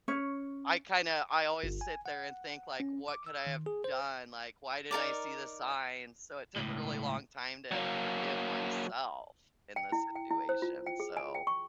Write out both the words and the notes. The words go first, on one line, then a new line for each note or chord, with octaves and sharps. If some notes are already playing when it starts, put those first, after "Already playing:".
I kinda I always sit there and think like, "What could I have done?" Like, "Why didn't I see the signs?" So it took a really long time to forgive myself in this situation, so
C#4 C#5
G1
G#5
F#5
C#4
D6
E6
D#3
G#4
C5
D#4 A4 A#4 D5
C#2 A2
F#3 A#3
G5
E4
G5
E4
C5
F4
G5
G#4
G#5
G5
C#6